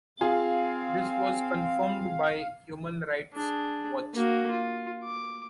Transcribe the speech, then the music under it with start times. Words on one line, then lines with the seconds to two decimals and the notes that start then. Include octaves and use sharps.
This was confirmed by Human Rights Watch.
0.21 C4 F4 G#4 F5
3.34 D4 G#4
4.14 A#3 F#4
4.51 F4
5.04 D6